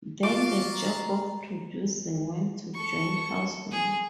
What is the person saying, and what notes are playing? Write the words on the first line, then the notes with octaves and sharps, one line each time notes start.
Then the job of producing went to John Houseman.
F4 F#4 F5 A5 D6
A#5
A4 C#6
G#4